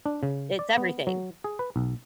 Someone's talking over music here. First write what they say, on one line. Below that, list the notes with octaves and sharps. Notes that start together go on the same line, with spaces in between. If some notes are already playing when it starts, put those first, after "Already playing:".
It's everything,
D4
C#3
D5
B3
F#3
G#4
B4
B1